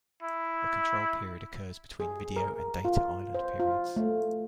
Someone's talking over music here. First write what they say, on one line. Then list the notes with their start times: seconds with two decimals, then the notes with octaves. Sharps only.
The Control Period occurs between Video and Data Island periods.
0.23 E4
2.00 G#4
2.36 A#4
2.85 F4
3.34 C5
3.60 F4
3.96 A3